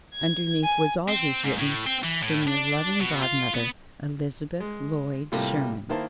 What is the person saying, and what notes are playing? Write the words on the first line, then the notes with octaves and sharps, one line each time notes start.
Underneath was always written: "From your loving godmother, Elizabeth Lloyd Sherman."
G#6
G#5
C4
G#2
A2
C4
E3
A2
D4
B2
F4
B3
G#3
A2 C3 G3 A3 A#3 F4
D#3 A#3 E4 C5 A5